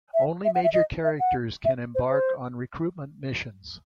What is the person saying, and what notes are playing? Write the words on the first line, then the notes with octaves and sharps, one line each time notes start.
Only major characters can embark on recruitment missions.
E5
E5
F#5
E5
D#5
E5
F#5
E5
C5
C5